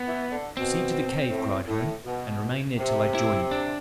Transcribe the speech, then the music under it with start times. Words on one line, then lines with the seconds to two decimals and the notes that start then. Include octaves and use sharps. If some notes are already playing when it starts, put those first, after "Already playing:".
"Proceed to the cave," cried Herne, "and remain there till I join you."
Already playing: B3
0.08 E3
0.32 D3
0.57 B2 C4
1.30 A2
1.67 A2
2.05 B2
2.78 C3
3.15 E4
3.51 D4